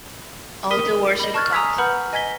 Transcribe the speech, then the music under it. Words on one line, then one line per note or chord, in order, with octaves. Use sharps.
All the words you've got.
A#4 D#6 B6 D#7 G7
D#5 B5
A5 C#6 F6 F#6 G#6 A6
G#5 A#5 D#6 E6 G#6 B6
B4 F#5 A#5 B5 F6 G6
D#5 G#5 G#6 B6 G7